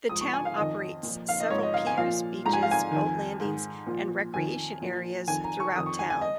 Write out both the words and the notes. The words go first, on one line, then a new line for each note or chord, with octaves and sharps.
The town operates several piers, beaches, boat landings and recreation areas throughout town.
G#2 F3 D#6
C#6
G#5
F5
F2 D#3 D#5
A#2 F3
F5
D#5
G#2 F3 C#5
D#5
F5
G#5
A#2 F3 F5
G#2 F3 A#5
G#5
F5
G#5
F2 D#3
G#2 D#3
A#2 F3
F2 D#3 G#5
A#2 F3
F2 D#3 G#5
A#5
C#6
F2 D#3 D#6
C#6
G#5
G#5
D#5